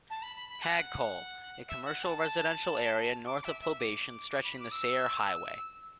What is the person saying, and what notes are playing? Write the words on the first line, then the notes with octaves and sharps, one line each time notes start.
Hagkol- a commercial-residential area north of Poblacion stretching the Sayre Highway.
A5
B5
B5
B5
F#5
E5
F#5
A5
D6
E5
E5
D6
D6
B5
D6
E6